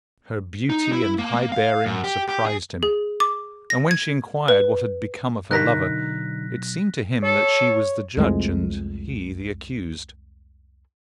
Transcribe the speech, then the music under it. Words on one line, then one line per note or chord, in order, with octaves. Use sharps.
Her beauty and high bearing surprised him, and when she inquired what had become of her lover, it seemed to him that she was the judge, and he the accused.
D#4
E4
A#3
A#3
F5
F#2
G4
G4
G#4
G#4
D6
A#6
G#6
B4
B1 D3 D#4 A#4 A#5 F#6 A#6 B6
A4 C#5
C2 F2 G#3 A3